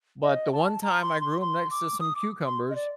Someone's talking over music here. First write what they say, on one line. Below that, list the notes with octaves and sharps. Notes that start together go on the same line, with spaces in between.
But the one time I grew 'em next to some cucumbers,
D#5
A5
A#5
C6
C6
C6
D6
D#6
D6
C6
D#5
D5